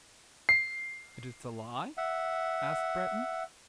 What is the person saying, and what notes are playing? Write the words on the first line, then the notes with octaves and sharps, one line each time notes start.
"And--it's a lie?" asked Breton.
C7
E5 F#5